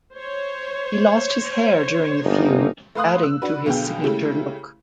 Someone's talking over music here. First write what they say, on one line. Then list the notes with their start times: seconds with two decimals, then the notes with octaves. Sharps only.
He lost his hair during the feud, adding to his signature look.
0.13 C5 C#5
2.25 G1 A#3 D4 D#4
2.95 A3 B4 F5 C6 D#6 F#6
3.23 E6
3.42 D4 F#4 B4
3.66 B1 B2 D3 B3 G#4 G5
4.04 C#3 G#3 A3 E4 G4